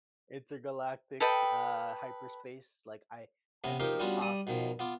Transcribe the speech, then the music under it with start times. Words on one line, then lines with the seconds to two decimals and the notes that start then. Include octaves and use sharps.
intergalactic, uh, hyperspace, like, I I think it's possible,
1.20 A4 B4 D#5 G5
3.64 C3 B3 C#4
3.80 F3 D#4 G4 A#4 F5 G5
4.00 G3 B3 C#4 D4 F4 F#4
4.21 G3 D5 D#6
4.47 B2 D#3 F3
4.79 B3 F4 D6